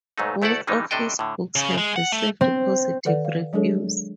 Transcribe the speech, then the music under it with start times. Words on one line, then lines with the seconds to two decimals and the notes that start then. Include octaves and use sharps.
Both of his books have received positive reviews.
0.18 B1 G#2 F#3 A3 D#4
0.42 D2 A3 E4 A4 D5 F#5
0.67 D#3 E3 G3 G#3 D#4
0.91 A2 C3 D4 A4 D#5 G5
1.19 A2 D3
1.56 C#3
1.78 G#3
1.96 F#5
2.12 A3
2.41 C4
3.05 D#3 A4 B4 D5 F#5
3.25 F5
3.53 F#3 G#3 D4 G#4 A4 C#5